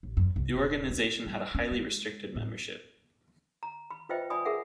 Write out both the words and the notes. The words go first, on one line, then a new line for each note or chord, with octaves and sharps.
The organization had a highly restricted membership.
A1
F#2
C2
D#1
C4
G3
C#4
G#3
A2
A#5
B5
F4 B4 C5 D#5 E5 G5
D5 G#5 B5 D#6
G#4 A#4 E5 F#5